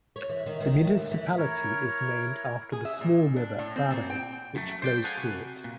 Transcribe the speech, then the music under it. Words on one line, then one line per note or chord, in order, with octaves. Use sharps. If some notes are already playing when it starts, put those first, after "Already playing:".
The municipality is named after the small river Bahre which flows through it.
C#5
E3
D#3
D#3
A3
D2
E3
E4 A#4 C#5
G#4
E5
A#2
D4
A2
C4
A#2
G5
F#2 A3
C5 D5 G5
G#4 A4 B4 F5 F#5 G#5
C3 F#4 G#5
A#2